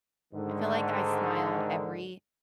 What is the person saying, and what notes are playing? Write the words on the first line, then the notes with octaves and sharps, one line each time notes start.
I feel like I smile every
G#2 D3 D#3